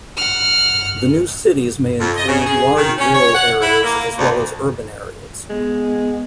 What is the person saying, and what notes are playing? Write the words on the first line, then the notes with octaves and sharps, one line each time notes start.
The new "cities" may include large rural areas as well as urban areas.
F#5 F6
F2
D#5
C#3
G#4
D#3
C#4
C#5
F#5
E4
A#3
D2
G#3 B3